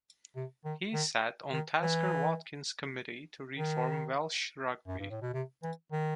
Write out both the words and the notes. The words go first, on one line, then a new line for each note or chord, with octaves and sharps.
He sat on Tasker Watkins committee to reform Welsh rugby.
C3
D#3
D#3
D#3
E3
D#3
F#2
G2
A2
B2
C3
E3
D#3